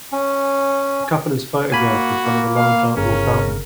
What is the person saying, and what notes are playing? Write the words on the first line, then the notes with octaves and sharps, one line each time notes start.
A couple is photographed in front of a large outdoor fountain.
C#4
A#3 F#4 G#5 B5
A#3
F5
G1 C#3 C#4 A#4